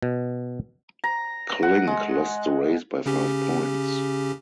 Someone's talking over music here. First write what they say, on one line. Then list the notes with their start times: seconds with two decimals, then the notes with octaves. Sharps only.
Klink lost the race by five points.
0.03 B2
1.04 A#5
1.63 F#5
1.87 G#3
3.06 C#3 C#4 G4